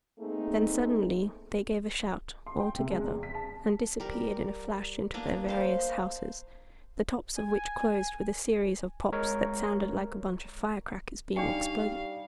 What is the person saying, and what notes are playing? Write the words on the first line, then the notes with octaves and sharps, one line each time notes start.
Then suddenly they gave a shout, all together, and disappeared in a flash into their various houses, the tops of which closed with a series of pops that sounded like a bunch of firecrackers being exploded.
A3 A#3 C4 D#4 G#4
C6
G5
C3
G#3
E2
B6
A5
G3 A#4
A#3 B3 D4 A#4
C5 F5
G#5
G#3 A#4 C#5
G3 D4 D#4 D5 F5 G5 C#6